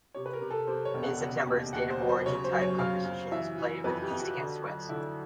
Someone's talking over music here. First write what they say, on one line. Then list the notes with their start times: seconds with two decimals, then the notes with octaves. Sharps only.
In September a State of Origin type competition is played with East against West.
0.15 C3 C#5
0.26 B4
0.33 A#4
0.42 C3
0.50 A4
0.67 C3 C5
0.85 C#5
0.94 E1
1.03 F#5
1.21 C#3 F#5
1.47 D#2
1.73 D#2 F#5
1.90 C5
2.00 F#3
2.09 C5
2.26 C#3 C#5
2.44 C5
2.52 F#2
2.61 C#5
2.78 C#3 F5
3.05 F#2
3.32 E3 E5
3.58 E3
3.84 F2 B4
4.02 G4
4.11 F2
4.20 F#4
4.37 D3
4.63 F#3
4.89 D3 E4